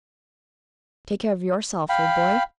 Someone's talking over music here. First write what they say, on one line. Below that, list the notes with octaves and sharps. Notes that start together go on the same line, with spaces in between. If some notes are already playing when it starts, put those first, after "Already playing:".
Take care of yourself, old boy.
F5 G5 B5